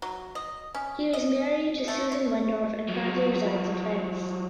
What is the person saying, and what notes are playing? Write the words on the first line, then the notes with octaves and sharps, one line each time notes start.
He is married to Susan Wendorf and currently resides in France.
F#3
D#5
C#4
D#5
A3
C#5
F3 F#3